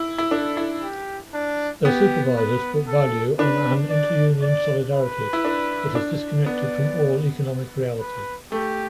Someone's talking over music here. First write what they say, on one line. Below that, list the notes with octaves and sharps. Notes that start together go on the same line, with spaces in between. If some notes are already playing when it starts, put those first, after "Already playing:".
Their supervisors put value on an inter-union solidarity that is disconnected from all economic reality.
Already playing: E4
E4
D4 A4
E4
G4
D4
B3 G4
B4
A4
D4 B4
D5
D5
B4
E4
D4
D4
B3 D5
B4
A3 G4